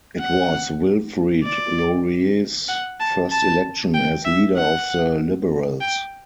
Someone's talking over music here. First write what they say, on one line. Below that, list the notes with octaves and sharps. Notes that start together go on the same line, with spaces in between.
It was Wilfrid Laurier's first election as leader of the Liberals.
F#5
D5
F#5
A5
A5
G5
E5
F#5
G5